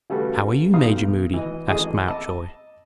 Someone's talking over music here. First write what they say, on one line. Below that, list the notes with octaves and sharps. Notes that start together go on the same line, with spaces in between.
"How are you, Major Moody?" asked Mountjoy.
C#3 G3 A3 F#4 B4
B1 D#4 G4 F5 D#6
E3 D#5
A1 E3 G#4 D#5 D#6
D#5 A5 D6 E6